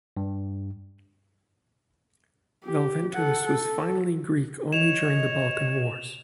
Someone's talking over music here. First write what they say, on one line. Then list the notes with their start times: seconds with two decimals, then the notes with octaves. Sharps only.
Velventos was finally Greek only during the Balkan Wars.
0.17 G2
2.64 G4
3.13 A4 F#5
3.48 A4
4.73 C#5 D#5 E7 F7